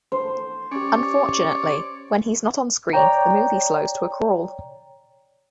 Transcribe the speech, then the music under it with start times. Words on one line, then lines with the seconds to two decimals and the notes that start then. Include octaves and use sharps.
Unfortunately, when he's not on screen, the movie slows to a crawl.
0.12 C5
0.71 C#4 G4 C#5 D5
2.93 C#5 D5 G5 A#5